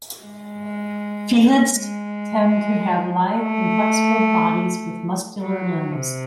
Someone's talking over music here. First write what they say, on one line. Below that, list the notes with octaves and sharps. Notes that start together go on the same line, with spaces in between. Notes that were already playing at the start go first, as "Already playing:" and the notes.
Felids tend to have lithe and flexible bodies with muscular limbs.
G#3
G#3
A3
F#3
C3